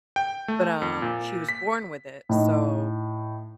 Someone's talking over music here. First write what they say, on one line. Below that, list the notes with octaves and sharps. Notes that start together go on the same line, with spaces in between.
but, um, she was born with it, so
G5
A3
F2
A#2
B6
A2 D#4